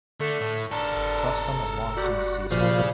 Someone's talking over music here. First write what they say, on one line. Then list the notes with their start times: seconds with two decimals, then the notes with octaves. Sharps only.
The custom has long since ceased.
0.21 D3 A3
0.41 A2
0.71 D3 A4 A#4
1.97 G3 F#4
2.51 A#2 F3 G3 G#4 F5